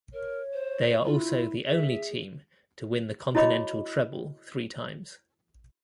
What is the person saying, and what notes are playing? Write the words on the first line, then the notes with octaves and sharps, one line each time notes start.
They are also the only team to win the continental treble three times.
A#4 C#5
C5
E4 F4
G#4 E5
E4 F#4 C#5 D#5 B5 D6